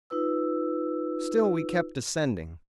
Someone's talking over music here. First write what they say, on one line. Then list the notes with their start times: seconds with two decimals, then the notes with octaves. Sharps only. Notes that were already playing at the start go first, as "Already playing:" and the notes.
Still we kept descending.
0.10 D#4 F4 B4 E6